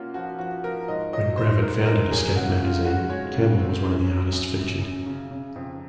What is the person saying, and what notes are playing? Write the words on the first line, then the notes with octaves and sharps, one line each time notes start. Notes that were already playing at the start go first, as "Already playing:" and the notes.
When Gravett founded "Escape Magazine", Campbell was one of the artists featured.
Already playing: A#3 C#4 F4 F#4
F3 F#4
F3 F#4
F3 A#4
G#2 D#5
F#3 D#5
G#2 C5
G#2 A#4
G#2 A#4
F#3 G#4
C#3 F#4
C#3 F4
G#3 F#4
G#3 C#5
C#3
C4
F#2
F#3
F#2
F#2
F#2
C#3
C#3
F2